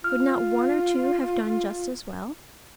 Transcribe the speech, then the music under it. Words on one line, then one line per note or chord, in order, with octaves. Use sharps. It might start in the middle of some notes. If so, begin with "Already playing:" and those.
Would not one or two have done just as well?
F4 F6